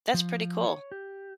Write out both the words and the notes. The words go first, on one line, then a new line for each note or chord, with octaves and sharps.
That's pretty cool.
F3
C#5
G4